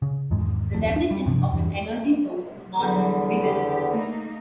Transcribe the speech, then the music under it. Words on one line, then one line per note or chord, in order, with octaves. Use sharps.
The definition of an energy source is not rigorous.
C#3
E2 G#2 D#3 G#3
D1 F2 A2 A3
G3
G2 C3 D#3 F3
E2 G2 E3
E2 D3 F#3 G3 B3
C#3 G4
A3 A#3 D#4